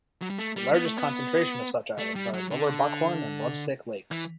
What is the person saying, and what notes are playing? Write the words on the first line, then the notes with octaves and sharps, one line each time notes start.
The largest concentration of such islands are in Lower Buckhorn and Lovesick Lakes.
F#3
G3
A3
G3
B3
A3
B3
A3
G3
F#3
D3
E3